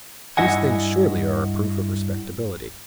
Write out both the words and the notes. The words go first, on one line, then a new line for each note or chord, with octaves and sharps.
These things, surely, are a proof of respectability.
G2 E4 D#5 F#5 G#5